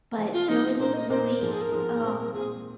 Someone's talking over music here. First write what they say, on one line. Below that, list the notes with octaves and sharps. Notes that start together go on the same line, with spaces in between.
but there wasn't really, um
C3 F3 G#3 C4
F4
C3 F3 G#3 C4 D#4
A#2 A#3 D#4 A#4 C5
D#5
A#2 A#3 D#4 A#4 C5
G#2 F3 G#3 A#4
G#4
A#4
G#2 F3 G#3
A#2 G#3 C4
A#2 G#3 C4 G#4